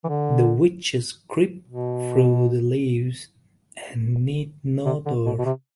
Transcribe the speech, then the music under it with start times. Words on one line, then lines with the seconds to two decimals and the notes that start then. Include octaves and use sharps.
The witches creep through the leaves and need no door.
0.05 E3
0.09 D3
1.68 B2
4.86 C3
5.06 D3
5.26 B2
5.39 B2
5.46 C3